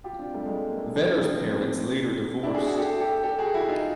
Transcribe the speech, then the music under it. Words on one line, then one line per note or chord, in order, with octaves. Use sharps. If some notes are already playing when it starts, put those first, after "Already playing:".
Vetter's parents later divorced.
F4 G4
C4 D4
G3 A3
G#3
G3 A3
A#3
A3
G#3
F3 G3
F3 G3
A#3 C4
D4 E4
F#4 G#4
F#4 G#4
G4 A4
G4 A4
G4 A4
F#4 G#4
E4 F#4
D#4 F4